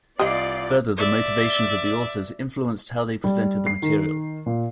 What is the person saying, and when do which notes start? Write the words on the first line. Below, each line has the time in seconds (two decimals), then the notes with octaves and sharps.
Further, the motivations of the authors influenced how they presented the material.
0.19 C2 F4 G4 C5 D5 D#5 D#6
0.97 D5 E5
3.24 G3
3.67 C7
3.82 D#3
4.46 A#2